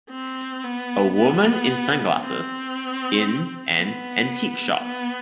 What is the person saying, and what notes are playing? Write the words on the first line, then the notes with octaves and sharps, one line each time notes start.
A woman in sunglasses in an antique shop.
C4
B3
B3
C4
B3
B3